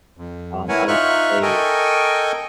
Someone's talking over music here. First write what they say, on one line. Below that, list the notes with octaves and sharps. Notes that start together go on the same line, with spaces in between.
um, I like to play,
F2
E4 A#4 B4 C#5 F#5 G#5
D#4 F4 E5 C#6 F6 F#6
A4 A#4 D#5 G5 G#5 C#6